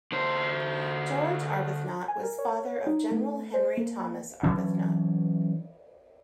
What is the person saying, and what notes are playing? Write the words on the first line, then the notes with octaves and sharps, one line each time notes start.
George Arbuthnot was father of General Henry Thomas Arbuthnot.
D3 C5
G#5
A#4
C#5
D#4
A3
C5
A#3
E3 F#3 C#4 D4